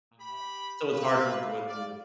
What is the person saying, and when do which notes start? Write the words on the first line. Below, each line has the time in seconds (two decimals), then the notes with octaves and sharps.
Uh, so, it's hard to enjoy the movie.
0.19 G4 B5
0.93 G4 B4 F5
1.67 D5